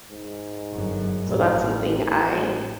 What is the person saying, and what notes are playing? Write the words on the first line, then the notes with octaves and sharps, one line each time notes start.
So that's something I
G#2
G1 F#2
A1 D#2
A2